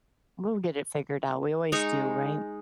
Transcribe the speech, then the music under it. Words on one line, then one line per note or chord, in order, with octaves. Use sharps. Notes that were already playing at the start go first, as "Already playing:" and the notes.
We'll get it figured out. We always do, right?
G#3 D#4 A#5 C#6